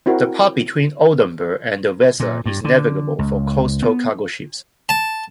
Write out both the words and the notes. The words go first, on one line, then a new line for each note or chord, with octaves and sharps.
The part between Oldenburg and the Weser is navigable for coastal cargo ships.
C4 E4 F#4 A#4
A#2
G2
D3
C#2
B3
A5